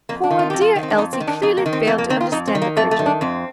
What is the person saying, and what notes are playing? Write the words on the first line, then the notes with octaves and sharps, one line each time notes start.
Poor dear Elsie clearly failed to understand the creature.
F2 A#3
D4
D#3
F4
F2 G4
F4
D#3
C4
D4
F2 D#4
C4
D#3
D4
F2 D#4
A#3
D#3
C4
F2 A#3
A#3
D#3 C4
F4
F2 D#4
C4
D#3
A#3
F2 A3
A3
D#3
D4
F2 C4